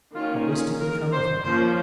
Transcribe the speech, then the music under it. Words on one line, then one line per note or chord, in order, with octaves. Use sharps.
What was to become of him?
D#3 A#3 C#4 F4
G#4
A#4
C5
F3 A#3 C#4 C5